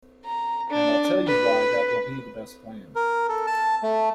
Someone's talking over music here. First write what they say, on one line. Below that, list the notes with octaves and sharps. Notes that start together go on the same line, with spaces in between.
And I'll tell you why that will be the best plan.
A#5
D4
B4
A#4
A4
A5
A3